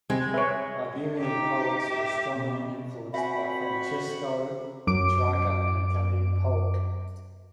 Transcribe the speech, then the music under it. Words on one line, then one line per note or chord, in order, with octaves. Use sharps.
Iberian poets were strongly influenced by Francesco Petrarca, an Italian poet.
C3 G3 G#3 C4
B4 C#5 E5
D#4 G4
G4 E5
B2
C4 F#4 C5 E5 G#5 B5
F#2 D6 D7